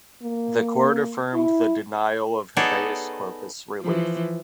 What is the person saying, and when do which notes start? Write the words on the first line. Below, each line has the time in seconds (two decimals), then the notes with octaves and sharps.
The court affirmed the denial of "habeas corpus" relief.
0.23 A#3
1.34 E4
2.57 B3 D#4 G#4 A4 C#5 D5
3.81 E3 F3